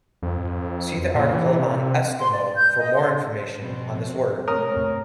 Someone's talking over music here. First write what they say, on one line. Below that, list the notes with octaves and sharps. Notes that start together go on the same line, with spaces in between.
See the article on "Eskimo" for more information on this word.
F2
A#2
E3
C3
C6
D5
G6
D#5
C6
F2 B2 C4
C3 A3 C4 A#4 C#5 D#6